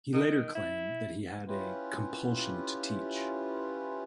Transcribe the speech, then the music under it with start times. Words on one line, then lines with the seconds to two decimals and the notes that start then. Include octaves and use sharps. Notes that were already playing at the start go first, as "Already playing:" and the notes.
He later claimed that he had a "compulsion to teach".
0.13 D#3
0.55 E4
1.48 C#4 E4 F4 G4 B4